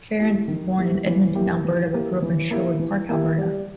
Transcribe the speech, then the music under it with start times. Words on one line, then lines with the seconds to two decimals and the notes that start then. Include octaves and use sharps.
Ference was born in Edmonton, Alberta, but grew up in Sherwood Park, Alberta.
0.19 A#3 E4 G4
0.48 D#3
0.77 A#3 E4 G4
1.06 E3
1.35 A#3 E4 G4
1.64 E3
1.93 A#3 E4 G4
2.22 E3
2.51 A#3 E4 G4
2.79 E3
3.09 A#3 E4 G4
3.38 G3